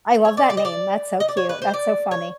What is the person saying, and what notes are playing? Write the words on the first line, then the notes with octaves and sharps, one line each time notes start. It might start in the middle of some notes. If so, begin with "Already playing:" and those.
I love that name, that's so cute, that's so funny.
C#5
D5
D5
D#5
D5
D#5
D5
C#5
B4
C5
D5
C#5